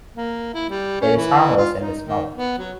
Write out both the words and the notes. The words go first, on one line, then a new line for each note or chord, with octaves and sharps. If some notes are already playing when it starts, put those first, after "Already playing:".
It is harmless in this mode.
A#3
E4
G3
C#4
E3
F4
D#4
D#3
B3
F#3